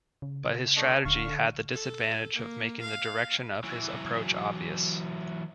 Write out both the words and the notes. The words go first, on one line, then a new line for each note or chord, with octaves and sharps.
But his strategy had the disadvantage of making the direction of his approach obvious.
C#3
A3 D4 D#5
D1 D3 F5 C#6
A4
A#3
F5
E3 F#3